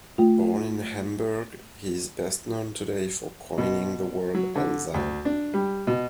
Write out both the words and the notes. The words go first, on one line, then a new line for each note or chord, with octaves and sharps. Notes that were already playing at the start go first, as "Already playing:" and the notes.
Born in Hamburg, he is best known today for coining the word enzyme.
A3 F4
B2
F#3
D3
D2
D4
G3
B2